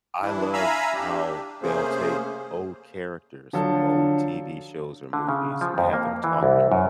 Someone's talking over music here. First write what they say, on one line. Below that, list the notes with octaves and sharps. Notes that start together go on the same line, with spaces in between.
I love how they'll take old characters from old TV shows or movies and have them talking
E3 D4 E4
E5 F5 G#5 A#5 B5 E6
D4 G4
C3 A3 A#3 C#4 G#4 C5
D3 F3 F#3 A4
D3
C#3
F3
F2
A#3
E3
C2
F#2